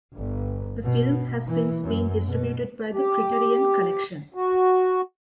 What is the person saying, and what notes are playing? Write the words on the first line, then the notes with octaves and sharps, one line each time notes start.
The film has since been distributed by the Criterion Collection.
G1
B2
E3
F#2
B2
G4
F#4